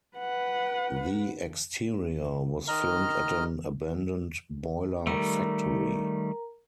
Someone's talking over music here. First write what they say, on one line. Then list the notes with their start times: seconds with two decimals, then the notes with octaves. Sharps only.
The exterior was filmed at an abandoned boiler factory.
0.17 B4 F#5
2.68 D#3 D#5 A#5 F6
5.07 D#3 G3 A3 A#4 A#5